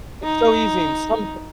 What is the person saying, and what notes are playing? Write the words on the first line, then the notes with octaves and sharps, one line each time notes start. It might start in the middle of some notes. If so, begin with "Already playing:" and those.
It's so easy and some
D#4